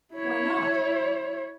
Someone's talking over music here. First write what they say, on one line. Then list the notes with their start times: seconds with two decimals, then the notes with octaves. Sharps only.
Why not?
0.14 E4 C#5